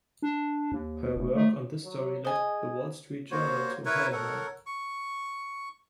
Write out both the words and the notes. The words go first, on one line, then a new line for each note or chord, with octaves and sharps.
Her work on this story led "The Wall Street Journal" to hire her.
D4
D#2
F1
A3
F#3
G#4 D#5 G#5
A#3 F#4 C5 C#5
E4 A#4 B4 C#5
A4 A#4 C#5 F#5
C#6